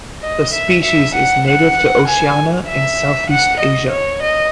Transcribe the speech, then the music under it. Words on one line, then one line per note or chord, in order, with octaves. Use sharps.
The species is native to Oceania and Southeast Asia.
D#5
E5
E5
F#5
F#5
G#5
E5
F#5
D#5
C#5
D#5